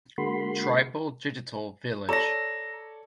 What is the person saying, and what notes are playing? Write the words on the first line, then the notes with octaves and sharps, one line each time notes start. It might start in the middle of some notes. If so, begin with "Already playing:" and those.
Tribal Digital Village.
D3 G#3 A#3 F#4 B5 C6
A4 C#5 D5 A#5 A#6